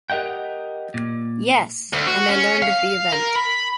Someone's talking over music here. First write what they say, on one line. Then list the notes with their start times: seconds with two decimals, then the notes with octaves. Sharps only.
Yes... and I learned of the event.
0.10 G4 A#4 D#5 F#5 G5
0.94 A#2
1.93 D2
2.07 F#4
2.30 C#4
2.62 F5
3.13 A#4
3.36 B5